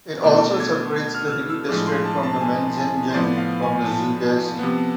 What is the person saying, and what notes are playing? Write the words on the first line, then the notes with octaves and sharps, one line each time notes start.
It also separates the hilly district of Menzingen from the Zugersee.
B2 A3 D4 D6
G#6
G#6
F6
E6
F6
E6
A2 F3 G#3 D4 D6
C6
A5
A5
G#5
G#5
C5
A2 F3 B3 D5
F5
G#5
A5
C3 F3 B3